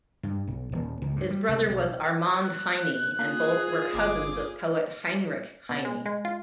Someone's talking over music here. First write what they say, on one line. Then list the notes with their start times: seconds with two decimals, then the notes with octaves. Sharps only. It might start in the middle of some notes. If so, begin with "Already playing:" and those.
His brother was Armand Heine, and both were cousins of poet Heinrich Heine.
0.23 G2
0.47 B1
0.72 D#1
1.02 C#2
1.16 G2
1.31 G3
1.48 C2
1.70 B1
2.43 F#6
3.19 A#3 F4 G#4
3.94 G1 D6
5.69 B2
5.85 G#3
6.06 G#3
6.25 F4